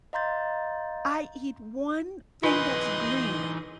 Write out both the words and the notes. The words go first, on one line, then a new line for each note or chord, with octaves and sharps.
"I eat one thing that's green."
D#5 F5 A#5 C6 G6 A6
E3 D#4 F4 G#4 B4 G#5 C6